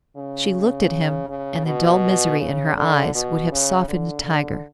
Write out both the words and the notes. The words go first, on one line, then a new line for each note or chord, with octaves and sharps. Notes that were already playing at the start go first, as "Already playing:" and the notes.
She looked at him, and the dull misery in her eyes would have softened a tiger.
C#3
C#3
B2
C#3
D3
B2
C#3
D3
D3